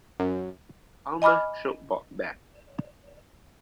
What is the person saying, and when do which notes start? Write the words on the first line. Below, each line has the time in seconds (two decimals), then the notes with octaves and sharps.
How much should Bob bet?
0.20 F#2
1.22 D#5 G#5 B5 D6 F6